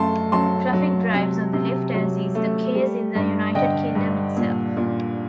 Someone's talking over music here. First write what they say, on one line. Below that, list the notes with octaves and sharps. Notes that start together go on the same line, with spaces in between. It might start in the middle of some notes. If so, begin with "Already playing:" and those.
Traffic drives on the left as is the case in the United Kingdom itself.
Already playing: F#2 A3 A5 C6
F#3 A5 C6
F#3
C3
C3
F#3
A3
G3
G2
D3 D#5 G5
G2
A#2
A#2